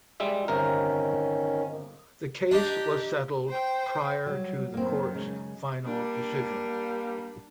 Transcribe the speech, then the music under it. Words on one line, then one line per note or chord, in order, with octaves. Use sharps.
The case was settled prior to the court's final decision.
G3 G#3 E5
G1 C3 D#3 C#4 A#4
D4 D#4 G4
C5 G5
F#3 G3
F#2 D#3 A#3 C4
C#3 G#3
G3 A#3 D4